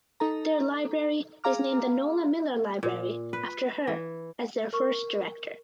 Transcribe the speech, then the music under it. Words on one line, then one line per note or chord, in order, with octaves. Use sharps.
Their library is named the Nola Millar Library after her as their first director.
D#4 A4 A#5
G#4 F5 A#5 D6 F6
A#2
B4
E3
A#4 C#6